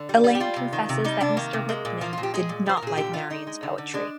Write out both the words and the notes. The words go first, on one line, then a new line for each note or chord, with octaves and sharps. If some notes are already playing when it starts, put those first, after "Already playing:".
Elaine confesses that Mr. Lippman did not like Marion's poetry.
Already playing: D3
G3
G3
G4
G3 F4
C3
D#3
C3
G3 D#4
C3 D4
D#3 A#3
C3
G#3
A#2
F3 A#3
F4
A#2
G4
G#3 G#4
A#2
F3 C5
A#4
A#2 G#4
D3 G4
D3 F4
G#3 D#4
G#3
D3
D3
G#3 D4